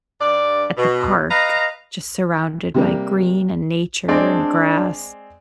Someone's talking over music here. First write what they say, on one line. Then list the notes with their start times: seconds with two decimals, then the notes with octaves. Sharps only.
at the park just surrounded by green and nature and grass.
0.20 G2 D5
0.77 B2
1.30 B4 D#5 F5 A#5
2.74 C3 G3 A#3
4.08 G#3 C4 D4 D5